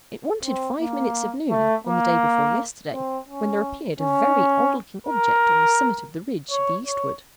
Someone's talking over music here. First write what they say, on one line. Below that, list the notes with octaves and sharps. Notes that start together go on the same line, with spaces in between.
It wanted five minutes of noon, on the day before yesterday, when there appeared a very odd-looking object on the summit of the ridge of the eastward.
C4
A#3
A3
A#3
C4
C#4
C#4
A#4
C#5
C#5